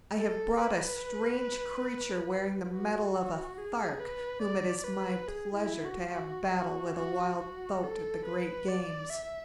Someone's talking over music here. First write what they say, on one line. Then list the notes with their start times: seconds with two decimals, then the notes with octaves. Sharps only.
"I have brought a strange creature wearing the metal of a Thark whom it is my pleasure to have battle with a wild thoat at the great games."
0.17 A4
0.59 B4
2.73 F#4
3.14 F#4
3.58 G#4
4.00 B4
4.43 D5
4.85 B4
5.28 G#4
5.56 E4
5.85 F#4
6.13 F#4
6.55 F#4
6.97 F#4
7.40 F#4
7.83 A4
8.26 B4
8.68 D5
9.10 E5